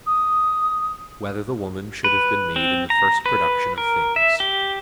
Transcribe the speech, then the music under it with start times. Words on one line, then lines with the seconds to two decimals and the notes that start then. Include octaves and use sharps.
Whether the Woman Should Have Been Made in the First Production of Things?
0.06 D#6
2.04 B4
2.56 C4
2.90 A#5
3.26 B4
3.78 A#4
4.16 E5
4.40 G4